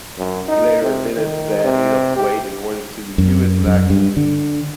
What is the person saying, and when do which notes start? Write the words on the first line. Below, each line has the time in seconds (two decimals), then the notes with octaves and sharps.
He later admitted that he lost weight in order to debut as an actor.
0.18 F#2
0.49 D#4
0.82 C3
1.17 D#3
1.64 C3
2.16 G4
3.18 F#2
3.67 F#2
3.90 G2
4.17 D3